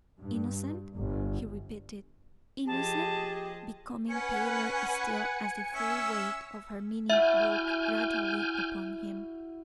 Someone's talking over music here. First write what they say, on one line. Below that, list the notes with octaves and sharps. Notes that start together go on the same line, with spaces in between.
"Innocent," he repeated, "innocent?" becoming paler still as the full weight of her meaning broke gradually upon him.
G2
G1
F3 G4 G#4 D#5 A5
C#4 B4 F#5 G#5 C#7
C#4 E5 E6
E4 F#4 E5 G#5 F6 G6